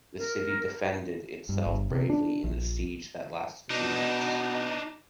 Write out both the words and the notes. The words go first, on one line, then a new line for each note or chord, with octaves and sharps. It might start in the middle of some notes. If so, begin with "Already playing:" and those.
The city defended itself bravely in a siege that lasted two months.
A#4
G2
G1
C3
D4
A#1
B2 D4 D#4